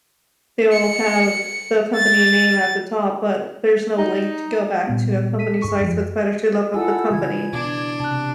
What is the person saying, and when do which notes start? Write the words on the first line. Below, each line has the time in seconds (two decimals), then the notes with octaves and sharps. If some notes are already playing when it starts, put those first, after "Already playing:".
they'll have the company name at the top but there's no link to go back to a company site so it's better to look up the company
0.72 C#7
1.95 A6
3.98 D#4
4.87 A#2 G3 B3
5.38 A4 B6 D#7
5.62 G2 G#4 C#6
5.81 F#2 F3
6.74 E4 F4 A4 F#5 G#5 E6
7.11 C#3 E3 G#6
7.53 B2 D4
8.00 C3 A5 F#6